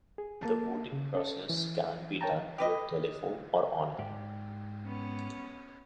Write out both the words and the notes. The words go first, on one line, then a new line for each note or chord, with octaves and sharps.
The voting process can be done via telephone or online.
G#4
A#3 A5
C#3
C#4 A4
E3
A#4 C#5 G5 A5 A#5
G4 B4 D#5
G#2 G4 D5
B3 C#4